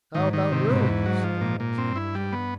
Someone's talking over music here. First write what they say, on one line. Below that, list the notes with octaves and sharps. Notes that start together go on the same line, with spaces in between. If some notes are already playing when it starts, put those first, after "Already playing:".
"How about rooms?" asked Uncle John.
G#2 D#3
D#3
C3
G#2 B2
E2
F#3
F3
A#2
A#2
G2 C4
E4
G3
B3